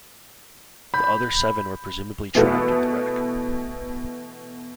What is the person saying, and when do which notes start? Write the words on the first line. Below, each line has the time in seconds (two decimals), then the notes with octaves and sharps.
The other seven were presumably trapped in the wreck.
0.94 B5 G6
2.35 B2 E3 A3 B3 A4